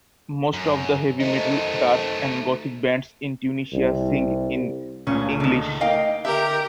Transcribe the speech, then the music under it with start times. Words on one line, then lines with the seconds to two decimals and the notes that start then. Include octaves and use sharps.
Most of the heavy metal, dark and Gothic bands in Tunisia sing in English.
0.53 F#2
1.20 F#2 D#3 A3 D#4 C5
3.73 C2
5.07 C#2 A#2 C#3 A3 C#4
5.40 D3 D#3
5.81 A#3 D#4 D#5 F5 G5
6.25 D3 G4 A#4 E5